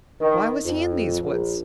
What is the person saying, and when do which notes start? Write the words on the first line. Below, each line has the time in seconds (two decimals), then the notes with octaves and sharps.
Why was he in these woods?
0.21 D#3
0.65 F2
1.22 A#1